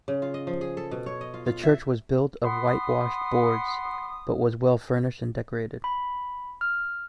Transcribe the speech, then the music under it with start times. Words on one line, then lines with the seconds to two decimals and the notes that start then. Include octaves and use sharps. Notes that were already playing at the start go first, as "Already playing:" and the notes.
The church was built of whitewashed boards but was well furnished and decorated.
0.08 C#3
0.22 F4
0.34 D#5
0.47 F3
0.61 G#4
0.77 A4
0.91 B2
1.06 C#5
1.21 D#5
1.34 F4
1.46 F4
1.63 E5
2.44 F#5 B5 C6 D#6
5.84 B5
6.61 F6